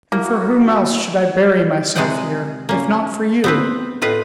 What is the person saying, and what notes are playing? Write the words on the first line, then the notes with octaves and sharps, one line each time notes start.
"And for whom else should I bury myself here, if not for you?"
A#3 E4 F#4 A#4
C3 G#3 G#4 D5 F#5 G5
A#3 C#4
B3 C4 B4
A2 F4 B4 D#5